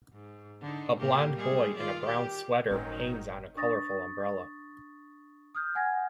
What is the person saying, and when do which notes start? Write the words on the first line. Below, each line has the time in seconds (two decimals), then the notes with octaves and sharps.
A blond boy in a brown sweater pains on a colorful umbrella.
0.12 G#2
0.61 D3 D#4
0.99 A2 A#3 G4
1.35 G3 G#3 G#4
1.77 D#3 F4 D5
2.06 G4
2.71 G1 A2 D#3 F#3 C4 C#4 D#4 A#4
3.57 D4 C#6 D#6 A6 A#6
5.55 D#6 F6 G6
5.75 F#5 G#5 G#6 A#6